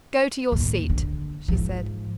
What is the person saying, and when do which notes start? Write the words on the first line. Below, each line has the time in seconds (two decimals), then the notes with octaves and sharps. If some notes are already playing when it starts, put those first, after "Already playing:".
"Go to your seat," she said.
0.52 D#2 A2
0.89 D3
1.48 G#2 F3